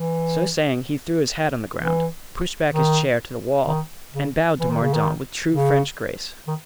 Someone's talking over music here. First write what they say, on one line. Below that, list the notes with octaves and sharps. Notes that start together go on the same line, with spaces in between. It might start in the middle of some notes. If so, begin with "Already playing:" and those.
So saying, he threw his hat on the ground, pushed back his chair to the wall and bowed to Mordaunt with true French grace.
Already playing: E3
E3
D#3
D#3
C#3
E3
D#3
C#3
D#3
C#3
D#3